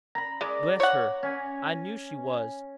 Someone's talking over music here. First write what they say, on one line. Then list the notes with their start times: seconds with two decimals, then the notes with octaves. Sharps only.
Bless her, I knew she was!
0.15 A#5 B5
0.41 G#3 D5
0.80 C#5 F#5
1.23 C#4 G#5